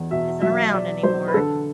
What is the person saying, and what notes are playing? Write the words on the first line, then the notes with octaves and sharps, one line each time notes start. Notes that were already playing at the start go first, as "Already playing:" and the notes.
isn't around anymore,
Already playing: E2
B2 E5
F#3 E5
B2 D5
F#3 C5
B4
D3 A4